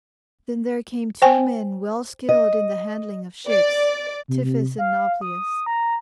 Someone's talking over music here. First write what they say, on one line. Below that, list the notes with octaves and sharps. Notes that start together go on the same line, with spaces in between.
Then there came two men well skilled in the handling of ships--Tiphys and Nauplius.
C5 G5 G#5
D#5
D5
C3
C3
F5
D#6
A#5